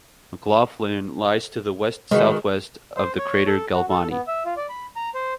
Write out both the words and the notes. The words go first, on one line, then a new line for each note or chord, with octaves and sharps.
McLaughlin lies to the west-southwest of the crater Galvani.
D#3 E3 G#3 F#4
C5
C#5
A4
F#4
A4
B3
E5
F4
D5
B5
A#5
C5